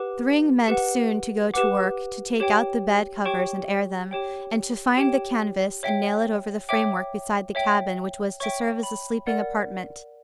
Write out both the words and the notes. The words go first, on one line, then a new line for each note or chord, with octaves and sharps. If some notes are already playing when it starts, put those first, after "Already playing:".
Thryng meant soon to go to work, to take out the bed covers and air them, and to find the canvas and nail it over the framework beside the cabin which was to serve as a sleeping apartment.
Already playing: G4 B4 F#5 D6
G4 B4 F#5
G4 B4 F#5 D6
G4 C#5 G5
G4 C#5 G5 C#6
G4 C#5 G5
G4 C#5 G5
C#5 E5 G5
C#5 E5 G5 D6
C#5 E5 G5
C#5 E5 G5 C#6
B5
A#4 D5 F#5